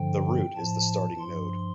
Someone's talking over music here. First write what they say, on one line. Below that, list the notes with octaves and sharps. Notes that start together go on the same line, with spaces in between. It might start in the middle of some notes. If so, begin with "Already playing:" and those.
The root is the starting node.
Already playing: G2 D3 F3 G5
A2 F3 A5
G2 F3 C6